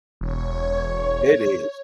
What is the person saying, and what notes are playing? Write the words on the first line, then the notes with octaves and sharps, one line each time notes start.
It is.
E1 C#5